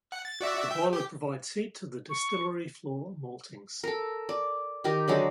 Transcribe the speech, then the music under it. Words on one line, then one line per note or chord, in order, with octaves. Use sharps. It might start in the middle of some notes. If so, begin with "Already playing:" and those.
The boiler provides heat to the distillery floor maltings.
F#5
A6
F#4 D5 E5
E5 G5
G4
C#6
A4 A#4
D5
D#3 G4 A#4
D3 F#3 G#3 D5